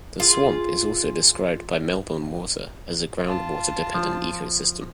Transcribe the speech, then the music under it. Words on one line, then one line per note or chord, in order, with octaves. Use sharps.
The swamp is also described by Melbourne water as a ground water dependent ecosystem.
F4 G#4
F4 A5
F3